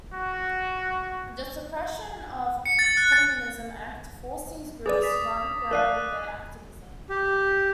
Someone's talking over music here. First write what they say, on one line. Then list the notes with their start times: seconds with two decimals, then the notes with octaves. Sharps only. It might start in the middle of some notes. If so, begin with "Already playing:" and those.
The Suppression of Communism Act forced these groups to go underground with their activism.
0.13 F#4
2.66 C#7
2.79 A6
2.97 F#6
3.12 A6
4.86 G#4 B4 D5 D6 A6
5.02 D#6 B6
5.71 A#4 D5 F5 E6 F#6 D#7
7.10 G4